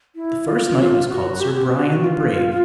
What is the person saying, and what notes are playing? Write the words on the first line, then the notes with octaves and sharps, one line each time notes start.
The first knight was called Sir Brian the Brave.
E4
F4
F#4
F4
F#4
G4
G#4
G4
F#4
F4